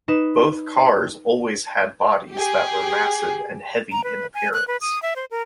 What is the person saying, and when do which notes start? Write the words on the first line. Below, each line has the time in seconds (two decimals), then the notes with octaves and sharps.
Both cars always had bodies that were massive and heavy in appearance.
0.08 D#4 B4 E7
2.32 G4 G#4
3.92 A#5
4.04 B4
4.34 G#5
4.53 F#6
4.68 B4
4.81 D#6
5.02 E5
5.16 C5
5.31 A#4